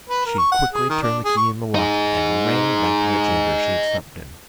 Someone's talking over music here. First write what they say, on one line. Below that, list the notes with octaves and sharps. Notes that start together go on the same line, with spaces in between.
She quickly turned the key in the lock, and ran back to the chamber she had slept in.
B4
A#4
C#6
F#5
G#4
D#3
D4
G#4
C#6
D#4 G#4